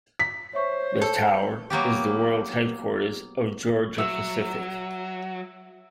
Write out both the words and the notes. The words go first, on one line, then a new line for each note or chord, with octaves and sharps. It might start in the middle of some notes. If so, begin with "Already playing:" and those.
The tower is the world headquarters of Georgia-Pacific.
B6
C5 C#5 E5 C#6
A4
F#3 A#3 B3 G4
F#3 E5